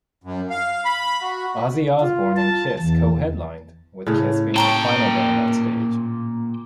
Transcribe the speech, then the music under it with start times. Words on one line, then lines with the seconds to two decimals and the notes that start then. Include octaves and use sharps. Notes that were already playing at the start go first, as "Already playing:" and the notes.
Ozzy Osbourne and Kiss co-headlined with Kiss being the final band on stage.
0.24 F#2
0.50 F5
0.85 B5
1.21 F#4
2.00 F4
2.36 A5
2.79 E2
4.07 A2 C#3
4.56 A#2 G5 A5 A#5 C#6